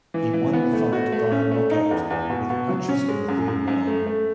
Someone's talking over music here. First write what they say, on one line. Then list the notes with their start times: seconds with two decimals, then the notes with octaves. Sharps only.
He won the fight via knockout with punches in the third round.
0.14 E3
0.34 E3
0.53 B3
0.73 A3
0.93 F#4
1.12 A3
1.32 C#4
1.51 A3
1.71 D#4
1.91 E2
2.10 E2
2.30 B2
2.50 B2
2.69 F#3
2.89 C#4
3.08 G#3
3.28 F#2
3.48 F#2
3.68 F#2
3.87 A3
4.06 A3